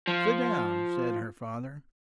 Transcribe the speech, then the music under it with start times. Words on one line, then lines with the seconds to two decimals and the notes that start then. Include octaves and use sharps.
"Sit down!" said her father.
0.07 F3